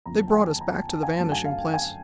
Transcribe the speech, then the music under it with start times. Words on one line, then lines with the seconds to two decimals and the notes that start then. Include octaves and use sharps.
They brought us back to the Vanishing Place.
0.06 F2 C#3 F3 A#3 A#5
0.19 A5
0.27 G5
0.33 G#5
0.48 A5
0.61 A#5
0.76 A5
0.89 A5
1.03 G#5
1.18 F#2 D3 F#3 A3 A5
1.32 G#5
1.45 F5
1.60 G5
1.74 G#5